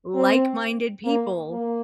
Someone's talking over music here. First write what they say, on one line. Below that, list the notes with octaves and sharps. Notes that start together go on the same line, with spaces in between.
like minded people
C4
A#3
A#3